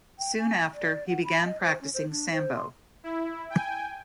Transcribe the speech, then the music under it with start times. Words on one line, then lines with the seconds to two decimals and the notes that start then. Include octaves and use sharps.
Soon after, he began practicing sambo.
0.19 G5
0.39 G#5
0.74 D5
1.08 F#5
1.24 B5
1.45 D#5
1.61 C5
1.81 C#4
1.94 C5
2.09 D4
2.32 C5
2.55 C6
3.04 E4
3.50 G5 G#5